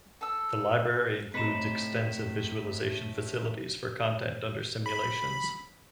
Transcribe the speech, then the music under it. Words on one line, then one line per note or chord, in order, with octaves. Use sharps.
The library includes extensive visualization facilities for content under simulations.
A4 E6
A2 C3 D#4 B4 B6 E7
B5